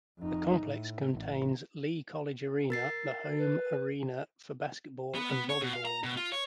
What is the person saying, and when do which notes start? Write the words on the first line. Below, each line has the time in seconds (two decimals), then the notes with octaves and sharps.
The complex contains Lee College Arena, the home arena for basketball and volleyball.
0.18 F2 D#4
0.62 A2
1.12 A1
2.70 A#4 A6 C7
3.38 B4
5.15 B3
5.30 B3
5.49 C#5
5.61 B2
5.73 F5
5.85 A#5
6.04 B2
6.17 F4
6.32 C#5